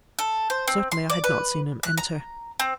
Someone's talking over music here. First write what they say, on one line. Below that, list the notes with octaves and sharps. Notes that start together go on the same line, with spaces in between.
Certainly, I had not seen him enter.
A4
C5
C4
C6
D5
B4
F#6
A#5
C4